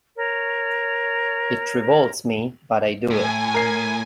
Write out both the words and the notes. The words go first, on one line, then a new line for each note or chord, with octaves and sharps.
It revolts me, but I do it.
A#4 C#5
A2 G#5
A#4 C7